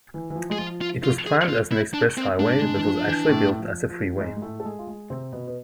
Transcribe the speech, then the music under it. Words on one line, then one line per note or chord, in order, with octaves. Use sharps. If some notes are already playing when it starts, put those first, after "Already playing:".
It was planned as an express highway but was actually built as a freeway.
E3
E3
F3
G#3 G#4
F3 F4
F4
F4
G#4
F4
E4
D4
C4
G#2 G#3 D4
G#2 G#3
E3
F3
E3
A2 A3
F3
F3
F3
G#2 G#3
G#3
A2 A3
A4
G#3 G#4
F4
G#3 G#4
C3 C4
B2 B3
B3